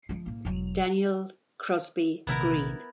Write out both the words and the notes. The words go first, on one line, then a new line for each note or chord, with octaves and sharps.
Daniel Crosby Greene.
F3 G#3
A2 A#3
E1 F#3
A#1 C3 D#3 B3 E4 A#4